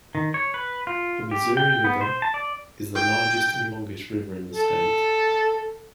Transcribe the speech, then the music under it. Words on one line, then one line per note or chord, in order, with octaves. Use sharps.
The Missouri River is the largest and longest river in the state.
D#3
C#5
B4
F4
G4
G5
G5
B3
C5
A5
D5
G5
A4